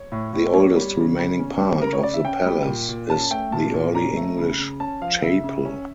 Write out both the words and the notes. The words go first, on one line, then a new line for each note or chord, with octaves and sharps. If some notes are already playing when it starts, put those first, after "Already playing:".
The oldest remaining part of the palace is the Early English chapel.
Already playing: C#5
A2
A2
A#3 C#5
G3
C#3
C#3
C#4
G3
C#3 A#4
C#5
C#3 D5
E5
C#4 G5
G3
A#2
A#2
C#4 A5
A3 G5
A#2 A5
A#2
C#4 A#5
A3
C#3
C#3
C#4 A5
F3 F5
C#3 E5
C#3
C#4